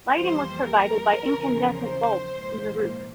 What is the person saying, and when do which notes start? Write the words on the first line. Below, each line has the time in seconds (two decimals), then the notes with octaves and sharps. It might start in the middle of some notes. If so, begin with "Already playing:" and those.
Lighting was provided by incandescent bulbs in the roof.
0.13 F2 E3 G3 A#3 C5
0.68 A#4
1.23 E2 C#3 F3
1.78 C5
2.32 A#1 G#2 E3 A#3